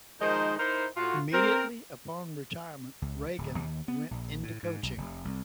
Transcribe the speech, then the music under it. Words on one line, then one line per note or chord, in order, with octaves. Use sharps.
Immediately, upon retirement, Regan went into coaching.
D#3 F3 G#3 D#4 A#4 C5
D#4 E4 A#4 C5
A2 F4 F#4
C4 A#4
C#2
D1
D#2
B3
A#1
A2
G#2
B1
F1
C2